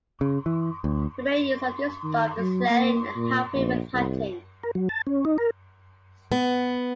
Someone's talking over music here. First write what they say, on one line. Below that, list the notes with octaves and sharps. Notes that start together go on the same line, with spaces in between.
The main use of this dog is sledding and helping with hunting.
C#3
E3
D2
D#3
F#3
A#3
A#2
A#1
C2
A#4
F#3
A5
C#4
D#4
A#4
B3